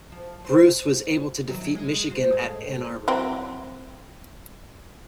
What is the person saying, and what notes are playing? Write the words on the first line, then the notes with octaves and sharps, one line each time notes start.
Bruce was able to defeat Michigan at Ann Arbor.
F3
C5
D#3 E3 F#3
G#3
F#4 C5
A2 G#3
E3 F#3 C4